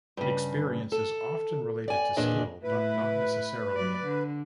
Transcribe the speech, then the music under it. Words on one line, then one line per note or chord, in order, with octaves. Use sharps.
Experience is often related to skill, but not necessarily.
G2 C#3
A4
D5 G#5
E2 A#2 D4 G#4 D5 D#5
A2 E4 B4
F#3 D5
D3